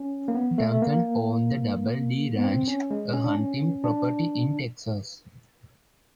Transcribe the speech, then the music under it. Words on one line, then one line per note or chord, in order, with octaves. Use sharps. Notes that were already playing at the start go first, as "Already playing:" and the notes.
Duncan owned the Double D Ranch, a hunting property in Texas.
Already playing: C#4
A#3
B3
A3
A3
A#3
B3
C4
C#4
G#3
C#4
D4
C#4
D4